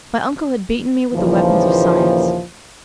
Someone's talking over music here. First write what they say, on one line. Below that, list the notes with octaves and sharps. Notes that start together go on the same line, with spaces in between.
My uncle had beaten me with the weapons of science.
D#2 A#2 C#3 E3 F3